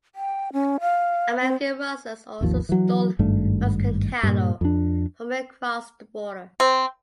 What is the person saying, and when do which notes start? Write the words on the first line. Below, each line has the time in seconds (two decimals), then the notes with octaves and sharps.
American rustlers also stole Mexican cattle from across the border.
0.15 G5
0.53 C#4
0.81 F5
1.41 C4
2.41 G#1 D#2 F3
2.69 E3 F#3
3.19 G#1 G2 G3 A3
4.23 G2 A#2
4.61 F2 D4
6.60 C4